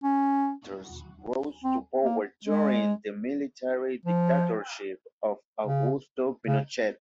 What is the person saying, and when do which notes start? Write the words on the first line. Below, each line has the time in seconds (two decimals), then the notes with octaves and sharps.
Walters rose to power during the military dictatorship of Augusto Pinochet.
0.03 C#4
1.64 C4
2.04 A#3
2.45 G#3
4.05 F3
5.66 C#3
6.47 C#3